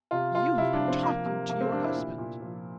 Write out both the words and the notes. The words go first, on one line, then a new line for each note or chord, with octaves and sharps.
You have been talking to your husband!'
C3 F4
C3 F4
C3 E4
D4
F3
C4
F3 A#3
C3 A#3
C3 A#3
C4
C3 D4
E4
A#2
A#2
F3